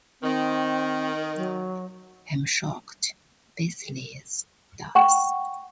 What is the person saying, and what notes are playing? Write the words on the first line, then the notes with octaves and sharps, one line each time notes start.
I'm shocked Baselitz does.
D#3 C4
F#3
F#5 G5 C#6